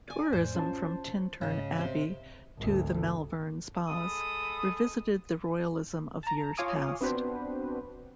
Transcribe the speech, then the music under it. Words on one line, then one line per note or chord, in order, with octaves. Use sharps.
Tourism from Tintern Abbey to the Malvern Spas revisited the royalism of years past.
D5 G#5
F2 A2 C5
C#4 F4 A5
G#2 C#3 D#5
C3 C6
G#1 D2
G#3 A4 B5 D#6
A5 A#5
F4 C#5 F5 G#5 D6 D#6
B3 C4 D4 F#4 B4 C5